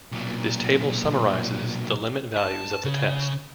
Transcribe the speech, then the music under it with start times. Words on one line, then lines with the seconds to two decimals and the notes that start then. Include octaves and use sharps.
This table summarizes the limit values of the test.
0.12 B1 A#2
2.37 A5
2.85 C#3